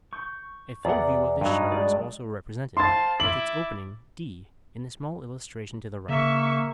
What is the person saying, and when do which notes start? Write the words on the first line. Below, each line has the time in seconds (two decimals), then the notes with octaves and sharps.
A full view of this shutter is also represented, with its opening, D, in the small illustration to the right.
0.13 C#6 G6
0.85 E2 D5 F#5 A#5 D6
1.41 G2 F#3 D#4
1.72 G#3 D5
2.77 C5 F5 A5 C6 A6
3.20 E4 D6 F#7
6.09 C#3 A#3 E5 C#6